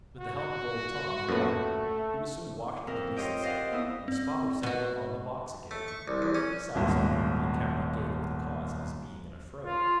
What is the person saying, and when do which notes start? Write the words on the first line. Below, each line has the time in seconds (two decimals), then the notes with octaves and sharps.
With the help of old Tom, the waterman, he was soon washed into decency, and his father set him on the box again, perfectly satisfied with the account he gave of the cause of his being in a fray.
0.19 F#4
1.29 F#2 A#2 A3 B3
2.87 F2 A#4
3.17 F4 G4 C#5 D#5 G5
3.42 C5 D5 D#5 F5 F#5
3.72 F2 B3 E4 D#6
4.08 C4 D5
4.63 B2 F#4
5.71 A3
5.88 C#6
6.08 C2
6.22 E2
6.35 C#4
6.75 D#1 B1 G#2
9.66 F4